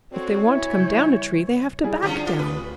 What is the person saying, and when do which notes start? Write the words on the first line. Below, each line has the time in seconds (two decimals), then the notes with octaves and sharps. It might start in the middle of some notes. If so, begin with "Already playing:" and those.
If they want to come down a tree they have to back down.
0.11 D3 C4 F#4 C#5
0.45 E3 E4
0.78 C#3 G3 G6
1.83 G3 E4 G#4
2.02 D3 F3 C#4
2.25 F3 F4 G4
2.39 D1 B4 D#6